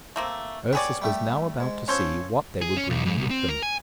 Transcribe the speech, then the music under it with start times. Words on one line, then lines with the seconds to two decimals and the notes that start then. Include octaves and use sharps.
Ursus was now about to see what they were bringing with them.
0.16 A3 A#3 C4
0.73 B3 G4 G#4 C#5 D5
1.02 G3 A3 G4
1.60 G#2
1.88 C#4 F4 A4 C5 C#5
2.61 G#4
2.77 C#4
2.90 B1
3.06 F2
3.17 C2
3.30 C4
3.49 A#4
3.63 G#5